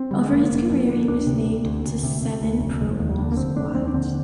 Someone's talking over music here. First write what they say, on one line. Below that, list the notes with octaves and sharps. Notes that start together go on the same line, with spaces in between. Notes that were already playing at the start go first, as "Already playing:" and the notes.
Over his career he was named to seven Pro Bowl squads.
Already playing: C4
D3 G3
G#3
F1 A#3
F1
F2
D3
D2 D4
C3
C3
D2
D2
C3
C3
D2
F1
F1
D#2
D3
A#3
F1 C4
F1 D4
D#2 C4
D4
D3 C4